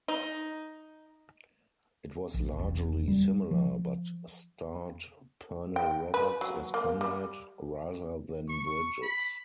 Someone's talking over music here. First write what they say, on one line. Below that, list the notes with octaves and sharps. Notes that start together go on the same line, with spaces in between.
It was largely similar, but starred Pernell Roberts as Conrad rather than Bridges.
D#4
A#1
E1
G3
F3
G5
B4
F#3
A#3
G3
C#6
B5